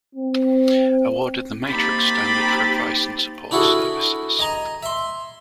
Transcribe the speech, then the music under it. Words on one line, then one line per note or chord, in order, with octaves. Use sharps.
Awarded the Matrix Standard for advice and support services.
C4
A#3 C4 D#4 G4 B5 A6
D4 E4 F#4 G#4 A4
D#5 G#5 A#5
E5 C6